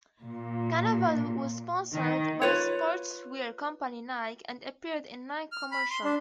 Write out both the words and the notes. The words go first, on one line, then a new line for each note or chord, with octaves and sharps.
Cannavaro was sponsored by sportswear company Nike and appeared in Nike commercials.
A#2
D#3
F4 B4 C#5
F6
B5
C6
D4